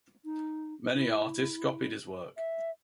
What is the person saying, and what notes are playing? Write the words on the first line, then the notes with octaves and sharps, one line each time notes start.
Many artists copied his work.
D#4
E4
E5